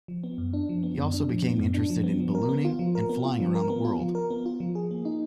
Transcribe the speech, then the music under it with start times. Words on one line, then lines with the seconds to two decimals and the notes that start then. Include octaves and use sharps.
He also became interested in ballooning, and flying around the world.
0.08 F3
0.24 B3
0.38 F#2
0.53 D4
0.69 F3
0.83 B3
0.98 F#2
1.14 D4
1.29 F3
1.44 B3
1.59 F#2
1.74 D4
1.90 F3
2.04 B3
2.20 F3
2.35 A#4
2.49 B3
2.65 F4
2.79 F3
2.95 A#4
3.09 B3
3.25 F4
3.40 F3
3.55 A#4
3.70 B3
3.85 F4
4.00 F3
4.15 A#4
4.30 B3
4.46 F4
4.60 F3
4.75 G#4
4.91 A#3
5.05 D#4